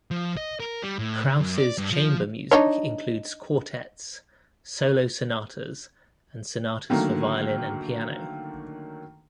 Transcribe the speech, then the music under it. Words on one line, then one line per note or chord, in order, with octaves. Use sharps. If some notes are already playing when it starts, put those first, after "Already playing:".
Kraus's chamber music includes quartets, solo sonatas, and sonatas for violin and piano.
F3
D#5
A#4
G3
A2
C#3
F#2
D5
G2
F3
D4 D#4 C#5
D3 D#3 F#3 A3 A#3